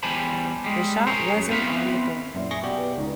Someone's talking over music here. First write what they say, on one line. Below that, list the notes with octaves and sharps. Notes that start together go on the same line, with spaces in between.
The shot wasn't on the board.
E2 G3 C5 G#5 A5 B5
G3 G#3
G#4 A#4 C5 C#5
F#2
B3 C4 E4 F5 F#5 B5
C#5
F#2 A#2 E4 C5 E5
G#4 C#6 A#6
B2 G4 G#4 D5 F#5
B4
C#2 D#4